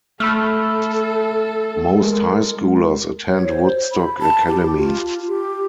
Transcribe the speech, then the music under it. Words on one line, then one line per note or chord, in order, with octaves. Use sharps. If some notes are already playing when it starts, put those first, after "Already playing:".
Most high schoolers attend Woodstock Academy.
A3 A4 B5 E6 F6
G#3 A#4
C#5
C5
B5
A5
G4
F4
G4